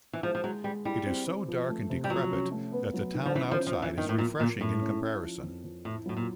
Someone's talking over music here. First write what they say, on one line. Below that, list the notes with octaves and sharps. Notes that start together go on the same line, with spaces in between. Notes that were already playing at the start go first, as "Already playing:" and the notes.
It is so dark and decrepit that the town outside is refreshing in comparison.
E3
F3 G#3
F3
F#3 G#3
G3 G#3
G3 E4
C4
C4
F3
A3
C3
G3
F3 F#3
C#4
A3
B3
F#3
D#3
F3
E3 C#4
F3
C#4
F3
F3
E3
D#3 A#3
A2
A#2 F3
A#2 A#3
A2 G#3
C#4
C#4
F3
F2
F2
A2 E4
A2 F#3
A#2